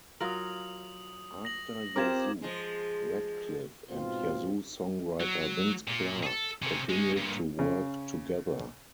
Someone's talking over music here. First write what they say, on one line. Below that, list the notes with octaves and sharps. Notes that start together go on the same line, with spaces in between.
After Yazoo, Radcliffe and Yazoo-songwriter Vince Clarke continued to work together.
F#3 F4 A#4 D#6 F#7
A#6 F#7
C4 F4 G4 A#4 D6 G#6 E7
F3 G#3
G#2 B2 C4 F4
F#3
A#2
G#4 A4
C3 C#4
G#3 C#4
G2 A#2
C#3